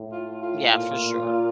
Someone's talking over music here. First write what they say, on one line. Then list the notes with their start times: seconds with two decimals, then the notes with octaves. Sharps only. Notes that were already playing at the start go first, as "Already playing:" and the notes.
yeah, for sure.
Already playing: A2
0.12 F4
0.42 F4
0.74 A#2
1.20 A#2